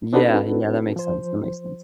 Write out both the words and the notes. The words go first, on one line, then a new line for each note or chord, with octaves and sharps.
Yeah, yeah, that makes sense, that makes sense.
C4 D4 D#4 F#4 A4 B4
F3 C5